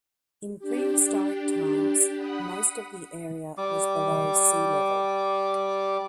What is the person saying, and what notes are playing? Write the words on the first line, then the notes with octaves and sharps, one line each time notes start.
In prehistoric times most of the area was below sea level.
D4 G4
F#5 B5 D#6
G3 D6